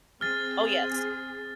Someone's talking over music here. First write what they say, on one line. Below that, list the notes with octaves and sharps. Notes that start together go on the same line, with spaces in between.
Oh, yes.
C4 G#4 F6 A6